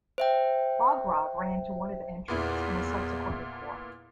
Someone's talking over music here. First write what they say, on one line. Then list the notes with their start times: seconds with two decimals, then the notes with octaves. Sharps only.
Bogrov ran to one of the entries and was subsequently caught.
0.18 C5 E5 G5
2.28 E2 A#2 B3 E4